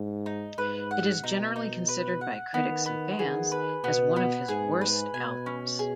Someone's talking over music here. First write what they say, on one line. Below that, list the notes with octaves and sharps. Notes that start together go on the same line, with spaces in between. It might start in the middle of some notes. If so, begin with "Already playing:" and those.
It is generally considered by critics and fans as one of his worst albums.
Already playing: G#2
D#4
G#2 B4
F#5
B2 D#4
D#4
B4
F#5
D#3 B3
B3
D#3 G#4
B4
B2 B3
B3
G#2 G#4
B4
B2 G#5
C#4
G#4